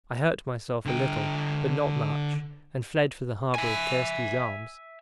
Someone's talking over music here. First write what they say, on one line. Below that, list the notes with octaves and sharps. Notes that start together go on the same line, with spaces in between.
I hurt myself a little, but not much, and fled for the harbour of Kirsty's arms.
D3 G5
E5 G#5